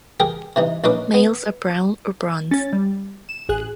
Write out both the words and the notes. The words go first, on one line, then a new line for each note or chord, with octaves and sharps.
Males are brown or bronze.
G4 G#4 A#4 G5 D6
C3 E3 D#4
A#1 C#4 D#4 B4 D6 D#6
B3
C#4 A6
G3
E7
A1 G#4 F#6